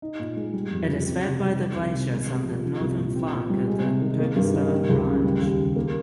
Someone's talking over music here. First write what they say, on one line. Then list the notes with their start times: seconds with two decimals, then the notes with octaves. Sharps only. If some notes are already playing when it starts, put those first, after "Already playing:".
It is fed by the glaciers on the northern flank of the Turkestan Range.
0.02 D#4
0.19 A#2
0.37 G#3
0.53 G3
0.71 F2
0.88 C#3
1.06 C4
1.24 C3
1.41 G3
1.59 D#3
1.75 C2
1.94 C3
2.11 G#3
2.29 C3
2.45 F3
2.63 F3
2.80 C2
2.98 A#2
3.15 C4
3.33 A#2
3.50 G3
3.68 G#3
3.85 C3
4.02 D#3
4.20 A#3
4.36 G2
4.54 D#3
4.72 G3
4.89 C#2
5.07 C#3
5.24 G3
5.42 D#2
5.59 C#3
5.76 A#3